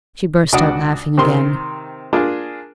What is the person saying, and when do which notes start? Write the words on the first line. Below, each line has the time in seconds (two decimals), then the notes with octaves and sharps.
She burst out laughing again.
0.53 C#2 D4 F#4 D5 F#5 D#6
1.18 C3 D#3 C6
2.13 A#3 D4 F4 G#4